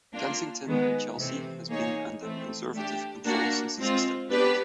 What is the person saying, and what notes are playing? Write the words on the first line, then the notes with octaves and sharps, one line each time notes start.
Kensington and Chelsea has been under Conservative control since its establishment.
A#3 D4 F4
D#3 G#3 B3
C3 E3 A3 C4
A#3 D#4 G#4 C#5
E3 A3 C4
A3 D4 G4
A#3 D4 F#4 A#4
G#3 C4 F4
B3 D4 G4 B4 D5